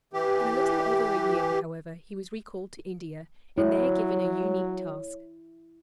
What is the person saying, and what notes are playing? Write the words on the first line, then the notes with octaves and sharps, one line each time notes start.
In a little over a year, however, he was recalled to India, and there given a unique task.
E3 G4
F#3 E4 C#5